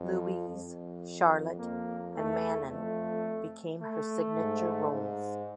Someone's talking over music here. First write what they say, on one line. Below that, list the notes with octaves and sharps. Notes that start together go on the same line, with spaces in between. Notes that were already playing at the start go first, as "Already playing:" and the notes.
Louise, Charlotte and Manon became her signature roles.
Already playing: F2
F2
F2 A#3
E2 A3
F2 A3
A3
G#2
G#2